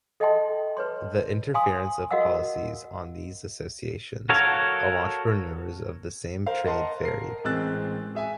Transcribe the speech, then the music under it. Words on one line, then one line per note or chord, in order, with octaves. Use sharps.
The interference of policies on these associations of entrepreneurs of the same trade varied.
A4 D#5 E5 G5 A5 C6
B4 C#5 C6
F5 G#5 C6 D#6
F#4 A#4 D#5 F5 F#5 E6
F#4 A4 A#4 C#5 F5
A#4 C5 F5
A#4 C5 D#5 F#5 A5 C6
A#4 A#6 C7
A1 G#3 C4 E6 F#6 A6
G#4 E5 G#5